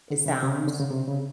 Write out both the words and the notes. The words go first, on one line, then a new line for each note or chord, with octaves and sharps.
it sounds
D3
C#3
C3
C#3
D3
C#3
C3
C#3